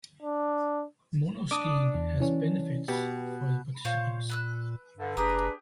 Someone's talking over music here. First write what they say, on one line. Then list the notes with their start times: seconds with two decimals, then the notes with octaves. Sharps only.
Monoskiing has benefits for participants.
0.22 D4
1.51 D4 D6 D#6
1.94 E2
2.20 E3 C#4
2.88 B2 G4 B4
3.85 A#2 C5 C#5 F5
4.29 B4 E6 F#6
4.97 G2 D3
5.17 F#1 D4 G4 G#4 B4 A#5 D#6